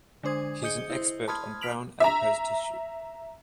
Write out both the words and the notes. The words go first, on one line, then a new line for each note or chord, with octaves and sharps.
He is an expert on brown adipose tissue.
D3 G#3 D4 C5 D#6 G#6
G#4 D#5 D#6 G6 C#7 G7
E4 C5
A5 B5 C6 D#6 F6 G#6
F6 B6 D7 F7 F#7
E5 A#5